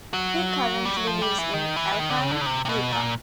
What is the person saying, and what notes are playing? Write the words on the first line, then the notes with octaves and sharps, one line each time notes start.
He currently lives in Alpine, Utah.
F#3
G3
F#3
F3
G3
E3
D#3
E3
D#3
D3
C#3
D3
C#3
C3
C3
B2
A#2